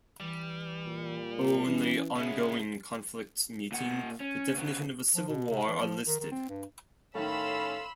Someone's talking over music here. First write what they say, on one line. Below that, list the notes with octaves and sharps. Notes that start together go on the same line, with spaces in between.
Only ongoing conflicts meeting the definition of a civil war are listed.
E3 G3
A#2
E3 C#4
C#3 G#3 B3 E5
A#2 F#5
C#4
C#3 B3
F3
B2
C3
E3
F3
D#3
D#3
C4
G2
A2 D#3 C#4 A4 F5 B5 C6 E6